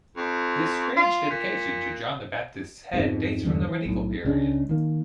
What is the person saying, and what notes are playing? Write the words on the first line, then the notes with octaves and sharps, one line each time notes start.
This strange dedication to John the Baptists head dates from the medieval period.
F2
F4
A#2
F2 G#2 B2
E2 G2 D3 A3
E3
B1 A2
C#2 C#3 G#3 D4
D#3 A#3